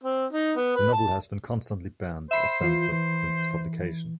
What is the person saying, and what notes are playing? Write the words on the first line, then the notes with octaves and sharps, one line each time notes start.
The novel has been constantly banned or censored since its publication.
C4
D#4
B3
B4
A5
C5 E5 B5 C7
E3 F4
E3 C5